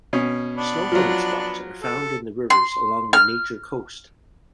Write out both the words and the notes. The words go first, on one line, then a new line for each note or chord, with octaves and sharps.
Snorkeling spots are found in the rivers along the Nature Coast.
B2 C#4
B3 D4
F3 F#3
A4
C6
F6